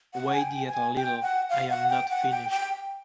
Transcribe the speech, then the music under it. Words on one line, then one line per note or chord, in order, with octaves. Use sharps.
Wait yet a little. I am not finished.
F#5
G#5
G5
G#5
G5
F#5
F5
F#5
G5
F#5
G5
G5